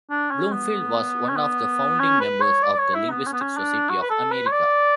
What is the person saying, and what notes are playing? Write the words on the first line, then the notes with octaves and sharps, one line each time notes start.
Bloomfield was one of the founding members of the Linguistic Society of America.
D4
C#4
B3
C#4
B3
C#4
B4
C#5
D5
D5
C#5
E4
B3
C#4
B3
C#4
D4
F#4
B4
A4
B4
C#5
D5